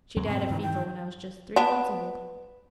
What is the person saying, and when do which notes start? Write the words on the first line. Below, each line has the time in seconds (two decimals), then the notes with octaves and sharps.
She died of fever when I was just three months old.
0.16 D#2 F#3 C4
0.29 G#2 B2 C4
0.50 G2 D#3 E3
0.63 G5
1.56 B3 D4